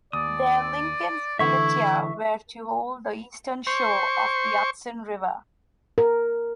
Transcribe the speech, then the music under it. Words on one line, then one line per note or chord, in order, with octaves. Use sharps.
There Lincoln's militia were to hold the eastern shore of the Hudson River.
D#2 D5 D#6
D3 E3 A3 E4 E5 C#6
C5 C#6
A#4